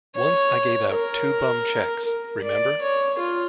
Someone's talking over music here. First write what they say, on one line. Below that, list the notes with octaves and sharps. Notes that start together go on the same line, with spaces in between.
Once I gave out two bum checks — remember?
C#5
A#4
A#4
D5
C#5
F4